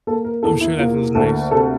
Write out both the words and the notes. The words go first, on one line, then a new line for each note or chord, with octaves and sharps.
I'm sure that feels nice.
A#3 A4
A#4
E2 A4
E4
A#3 F4
D2 A4
C3 A4